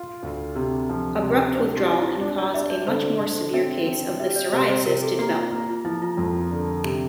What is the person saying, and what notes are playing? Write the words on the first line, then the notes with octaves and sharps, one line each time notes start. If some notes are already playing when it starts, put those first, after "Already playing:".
Abrupt withdrawal can cause a much more severe case of the psoriasis to develop.
Already playing: F4
D2
C3
F3
C3
D4 C5
G4
G3 F4
E4
D4
D5
D4 E5
D5
D3 C5
D3
C4 E5
C4
G3 E5
D5
C3 C5
C5
C3 A#4
A4
A#3 G4
F4
A#3
F4
F3 E4
F4
F2
D3
C3